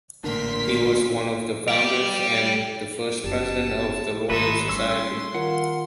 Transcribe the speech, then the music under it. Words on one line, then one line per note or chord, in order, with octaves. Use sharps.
He was one of the founders and the first President of the Royal Society.
A1 A#2 D3 D4 A#4 C6 B6
G4 D5
F#1 G4 A5
G#1 A3 D#4 A4 B4 E5 C6
G3 A3 C#4 C6 E6
D#3 F4 A#4 F#5